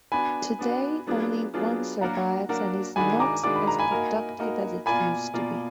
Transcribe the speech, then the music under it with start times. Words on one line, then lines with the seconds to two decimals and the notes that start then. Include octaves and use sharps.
Today only one survives and is not as productive as it used to be.
0.12 B3 D4 F#4 G#5 B5
0.59 B3 D4 F#4
1.07 F#3 B3 D4 F4 G#4
1.54 F#3 B3 D4 F4 G#4
2.01 F#3 A#3 D4 F#4 A#4 F#5 A#5
2.49 F#3 A#3 D4 F#4 A#4
2.96 D#3 G#3 D4 F#4 D5 G#5 B5
3.20 A#5 D6
3.44 D#3 G#3 D4 F#4 D5 D6
3.56 B5
3.67 A#5
3.79 G#5 B5
3.91 A#3 D#4 F#4 A#4
4.39 A#3 D#4 F#4 A#4
4.86 B2 A#3 F4 A#4 D5 G#5 B5
5.33 B2 A#3 F4 A#4 D5